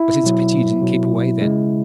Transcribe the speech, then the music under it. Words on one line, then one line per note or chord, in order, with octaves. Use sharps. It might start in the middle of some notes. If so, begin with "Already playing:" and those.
But it's a pity you didn't keep away, then.
Already playing: E4
B2 F#3
B2 F#3
C#3 G#3